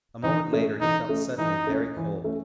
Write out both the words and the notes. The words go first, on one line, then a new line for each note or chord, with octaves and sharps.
A moment later he felt suddenly very cold.
E3 D#4
A3 C#4
E3 D#4
A3 C#4
E3 D#4
A3 C#4
E3
A3 C#4